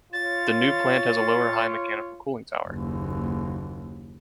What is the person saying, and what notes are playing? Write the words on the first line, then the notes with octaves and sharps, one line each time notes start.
The new plant has a lower high mechanical cooling tower.
F4 C#5 A6
F#1 D#2